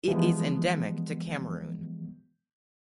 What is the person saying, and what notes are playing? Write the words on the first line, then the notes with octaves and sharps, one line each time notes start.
It is endemic to Cameroon.
E3 F3 G3 G#3 B3